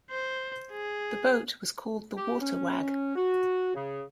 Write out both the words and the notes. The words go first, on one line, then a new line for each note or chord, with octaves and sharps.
The boat was called The Water Wag.
C5
G#4
G4
C#4
F#4
C#3